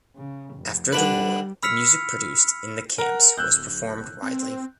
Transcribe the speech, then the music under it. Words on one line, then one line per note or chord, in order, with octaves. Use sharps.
After the war the music produced in the camps was performed widely.
C#3
F1
D3 G3 D4 B4
B5 E6 F6 B6 C#7 F7
A#4 F#5
D1 E6 F#6 G6
C4